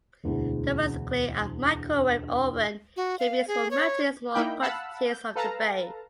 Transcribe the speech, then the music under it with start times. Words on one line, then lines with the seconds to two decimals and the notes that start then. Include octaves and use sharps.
Domestically, a microwave oven can be used for melting small quantities of the base.
0.24 E1 D2 E3 G#4
2.97 F#4
3.19 F5
3.48 G#4
3.71 C#5
4.34 A#3 D#4 E4 G5 B5 G6
4.62 F5 F#5 A5 B5 E6 F#6
5.12 G6
5.36 A4 B4 F5 A5 A#5